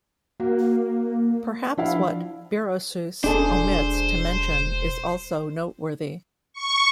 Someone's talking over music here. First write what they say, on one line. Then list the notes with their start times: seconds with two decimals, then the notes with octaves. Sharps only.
Perhaps what Berossus omits to mention is also noteworthy.
0.40 A#3 F#4
1.78 F3 D4 E4 F5
3.24 E1 D4 G#4 A4 C5
6.53 C#6